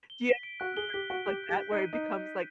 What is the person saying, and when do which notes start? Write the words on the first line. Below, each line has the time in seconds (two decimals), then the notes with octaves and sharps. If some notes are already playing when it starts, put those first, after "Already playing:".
Do you have some friendship like that, where it becomes, like,
0.10 G7
0.27 B6
0.43 D7
0.60 F#4 F#6
0.77 G#4 G7
0.93 G4 B6
1.10 F#4 D7
1.26 G4 G6
1.44 G4 G6
1.61 B6
1.71 D#4
1.77 D#7
1.93 D#4 G6
2.10 G6
2.26 B6